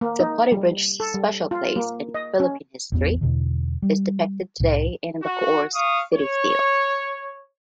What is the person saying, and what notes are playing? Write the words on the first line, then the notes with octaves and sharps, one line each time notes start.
Zapote Bridge's special place in Philippine history is depicted today in Bacoor's city seal.
A#3
D#4
G3
A4
G3
F4
A#3
D#5
C#4
A1 E2 B3
E2 B2 D3
G3
C2 A2
F#4
F5 C#6 D#6
C#5